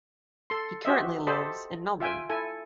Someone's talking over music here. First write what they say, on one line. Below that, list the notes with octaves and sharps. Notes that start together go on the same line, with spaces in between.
He currently lives in Melbourne.
A4 C6
F#4 G4 C5 D#5 E5
G4 A4 C5 D#5 A5 B5
F4 E5 G5 G#5
E4 A4 G#5